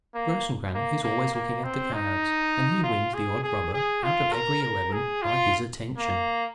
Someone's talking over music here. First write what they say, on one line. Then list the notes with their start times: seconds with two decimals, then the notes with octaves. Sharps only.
Grossengrannel is always looking at the cards, and he wins the odd rubber out of every eleven by his attention.
0.14 A#3
0.74 A#3
1.03 A#3
1.34 A#3
1.64 C4
1.93 D#4
2.83 F4
3.14 G#4
3.44 G#4
3.74 G#4
4.03 F4
4.33 A#4
4.62 A#4
4.92 G#4
5.23 F4
5.98 A#3